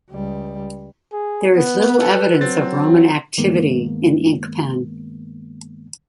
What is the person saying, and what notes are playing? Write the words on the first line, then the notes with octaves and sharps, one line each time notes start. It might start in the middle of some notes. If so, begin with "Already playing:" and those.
There is little evidence of Roman activity in Inkpen.
C#2 G3
G#4
B3 B4
A4
F#3 C4 A6
G2 D#3 G#3 A#3 B3